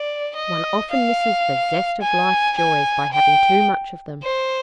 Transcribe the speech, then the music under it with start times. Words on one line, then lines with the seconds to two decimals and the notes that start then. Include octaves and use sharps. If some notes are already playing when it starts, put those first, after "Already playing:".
One often misses the zest of life's joys by having too much of them.
Already playing: D5
0.36 D#5
0.91 F5
2.02 G#5
2.57 G#5
3.13 G5
4.23 C5